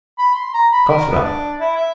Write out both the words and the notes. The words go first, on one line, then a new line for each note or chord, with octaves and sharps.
Cough it up.
B5
C6
A#5
B5
A#4
B3
D4
E4
E5